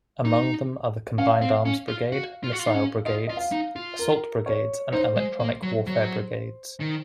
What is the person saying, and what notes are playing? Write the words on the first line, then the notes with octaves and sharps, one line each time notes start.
Among them are the combined-arms brigade, missile brigades, assault brigades and electronic warfare brigades.
D#4
C#4 F5
C4
C#4
F4
F#4
F4
F#4
F4
D#4
C#4
F4 D#5
F4 D#5
F5
D#4
F4
A#4
C#5
D#4 C5
G#3
A#3
F#3
F#3
D#3